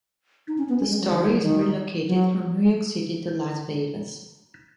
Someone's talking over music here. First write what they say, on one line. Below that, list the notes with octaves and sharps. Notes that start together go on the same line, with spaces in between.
The story is relocated from New York City to Las Vegas.
D#4
C#4
B3
C#4
G#3
F#3
D#3
D#3
F#3
D#3
F#3